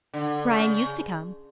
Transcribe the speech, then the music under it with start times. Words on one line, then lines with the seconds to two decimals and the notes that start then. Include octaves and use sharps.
'Brian used to come.'
0.14 D3
0.51 C#3